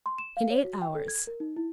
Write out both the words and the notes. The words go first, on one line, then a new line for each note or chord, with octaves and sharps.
"In eight hours."
C6
E7
F5
C#5
F#4
G5
A4
G#6
A#4
D#4
E4